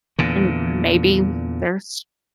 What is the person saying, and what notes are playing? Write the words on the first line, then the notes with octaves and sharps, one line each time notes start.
And maybe there's
E2 A#2 D3